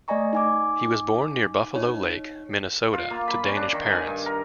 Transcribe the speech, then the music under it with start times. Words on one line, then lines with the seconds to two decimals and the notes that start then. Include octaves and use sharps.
He was born near Buffalo Lake, Minnesota to Danish parents.
0.08 A3 D5 D#5 G#5 A#5 C#6
0.33 D#4 G#5 D6
1.76 D#4 C#5
2.93 F4
3.11 A#3
3.28 B5
3.43 C#4
3.56 D4
3.73 D#3
3.91 G#5
4.07 G2
4.26 A#4